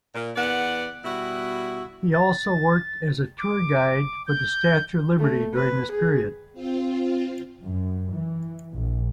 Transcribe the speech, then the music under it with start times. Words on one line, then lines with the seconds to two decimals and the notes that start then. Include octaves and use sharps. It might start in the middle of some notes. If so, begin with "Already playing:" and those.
He also worked as tour guide for the Statue of Liberty during this period.
0.15 A#2
0.36 E2 B3 D5 F#5
1.04 B2 G3 E4 F#4
2.12 A6
3.38 D6
4.27 G6
5.19 A3
5.54 B4
5.91 G#4
6.53 C4 F4
7.64 F#2
8.13 E3
8.74 A#1